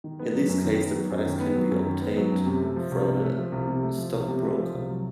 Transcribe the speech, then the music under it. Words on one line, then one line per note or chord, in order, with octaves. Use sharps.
In this case, the price can be obtained from a stockbroker.
D#3
B3
F#3
F#2
D#3
B3
F#3
F#2
D#3
B3
F#3
F#2
D#3
B3
F#3
F#2
C3
A3
F3
C2
C3
A3
F3
C2
C3
A3
F3
C2
C3
A3
F3
C2
F#3